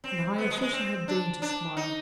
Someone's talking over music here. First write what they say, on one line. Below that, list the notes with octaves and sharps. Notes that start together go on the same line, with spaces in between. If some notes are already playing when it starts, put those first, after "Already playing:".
And the high official had deigned to smile.
C4
B3
G#3
B3
G#3
C4
D4
D4
D#4